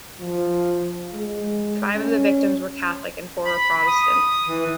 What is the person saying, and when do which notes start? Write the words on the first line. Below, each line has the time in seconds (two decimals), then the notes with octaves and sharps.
Five of the victims were Catholic and four were Protestant.
0.21 F3
1.14 G#3
1.95 C#4
3.45 B5
3.87 D#6
4.47 E3